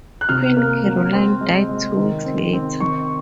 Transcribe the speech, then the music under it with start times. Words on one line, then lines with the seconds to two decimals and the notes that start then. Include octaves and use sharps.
Queen Caroline died two weeks later.
0.21 F#6
0.29 C3 F6
0.57 A#3
0.85 F#3
1.13 C4
1.41 G#3
1.69 G#3
1.96 D#3
2.25 C4
2.53 C4
2.80 D#3 C#6